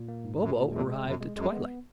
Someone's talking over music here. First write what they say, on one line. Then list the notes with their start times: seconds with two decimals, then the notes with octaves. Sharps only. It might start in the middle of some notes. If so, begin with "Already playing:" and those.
Bobo arrived at twilight.
Already playing: A#2
0.08 A#3
0.25 G#2
0.41 F#2 A#2
0.57 A#2
0.72 E2 G#3
0.89 G#3
1.05 F#2 B2
1.21 G#3
1.36 F#2 G#3
1.53 B3